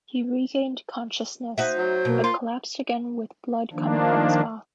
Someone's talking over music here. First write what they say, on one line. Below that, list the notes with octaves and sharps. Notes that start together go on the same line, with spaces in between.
He regained consciousness, but collapsed again with blood coming from his mouth.
D#4 F#4 C5 E5
F#3
B2 A#3
F4 C6
D#3 F3 A#3 D4